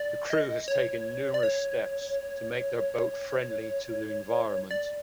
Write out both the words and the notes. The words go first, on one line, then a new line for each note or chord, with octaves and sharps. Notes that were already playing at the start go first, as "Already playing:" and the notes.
The crew has taken numerous steps to make their boat friendly to the environment.
Already playing: D5
D#5
C#5
D5
C#5
D5